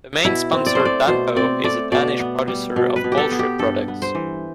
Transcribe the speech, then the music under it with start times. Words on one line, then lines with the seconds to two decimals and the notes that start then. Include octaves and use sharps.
The main sponsor Danpo is a Danish producer of poultry products.
0.25 B2 E4
0.53 C4
0.66 D5
0.75 A3 C5
0.85 D5
1.07 B2 C5
1.36 C4 D5
1.64 A3 D5
1.92 B2 D5
2.20 B3
2.48 G3
2.76 B2
2.96 B4
3.04 B2
3.12 G4
3.17 A4
3.31 B3
3.39 G4
3.59 G2 A4
3.88 B3
4.02 C5
4.15 E3